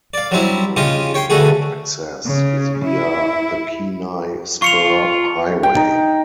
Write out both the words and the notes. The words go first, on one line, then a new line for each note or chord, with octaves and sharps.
The only road access is via the Kenai Spur Highway.
D5 F5
F#3 G3 C4 E4
C#3 F4 G4 D#5
C#5 G5 C6
D3 A3 F#4 G#4
C#3
E4
F4 C#6 C#7 F7
G5
D#4